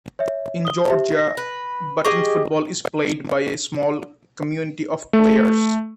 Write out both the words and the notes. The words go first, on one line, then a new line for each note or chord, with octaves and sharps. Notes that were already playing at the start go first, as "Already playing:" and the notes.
In Georgia button football is played by a small community of players.
C#5 E5
D#6 G7
G4 E5
A#6
B4
G4 G#4 D#5 C#6
A3